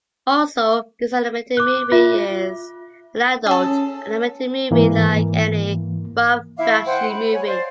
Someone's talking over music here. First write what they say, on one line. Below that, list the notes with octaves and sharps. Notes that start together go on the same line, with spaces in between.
Also, this animated movie is an adult animated movie like any Ralph Bakshi movie.
D6 F#6
F4 E5
C#4 G#4 A4
G#2 E3 A#3
E4 E5 F5 D6
C5 F#5 G5
B5
C#5 G#5
C5 D5 F5